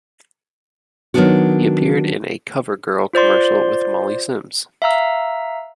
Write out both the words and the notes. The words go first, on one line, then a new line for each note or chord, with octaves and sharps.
He appeared in a "CoverGirl" commercial with Molly Sims.
D#3 F#3 A3 B3 D4 F#4
F4 C5 D5 C6
E5 F5 A#5 E6